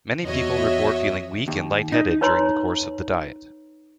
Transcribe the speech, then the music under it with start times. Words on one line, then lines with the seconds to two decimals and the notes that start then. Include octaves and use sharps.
Many people report feeling weak and light-headed during the course of the diet.
0.24 E2 F#4 C#5 D#5 E5
1.48 D#2
1.92 D#4
2.21 D#4 B4 C#5 A#5 C6